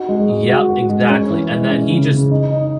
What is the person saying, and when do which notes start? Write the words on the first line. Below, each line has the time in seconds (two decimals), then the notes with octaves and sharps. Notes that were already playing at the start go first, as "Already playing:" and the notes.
Yep, exactly, and then he just
Already playing: D#4 F#4
0.09 G#3
0.29 G#3
0.49 F#4
0.69 F#4
0.89 G#3
1.10 C#4
1.30 E3
1.50 G#3
1.70 C#4
1.90 C#3
2.10 C#3
2.31 D#4
2.51 D#4